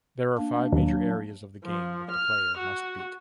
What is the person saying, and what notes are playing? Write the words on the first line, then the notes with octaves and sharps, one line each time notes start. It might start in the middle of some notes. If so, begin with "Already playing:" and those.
There are five major areas of the game that the player must beat.
A#3 D4
D#2 F#3
F3
F6
F#4